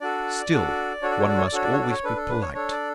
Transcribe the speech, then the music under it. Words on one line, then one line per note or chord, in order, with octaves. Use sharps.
Still one must always be polite.
D4 F#4 A4 D5
D4 F#4 A4
D4 F#4 A4 C#5
D5
C#5
D5
C#5
D5
D4 F#4 A4 C#5
D5
C#5
D5
C#5
D4 A4 B4
A4
B4
C#5
D4 A4 C#5
D5